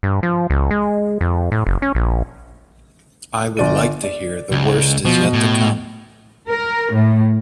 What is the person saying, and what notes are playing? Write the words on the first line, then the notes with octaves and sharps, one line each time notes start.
I would like to hear The Worst Is Yet To Come.
G2
F3
C#2
G#3
F2
A2
F#1
C#4
A#1
G1 D5 D#7
D5
C#2
B2 F3
A2
A#4
A2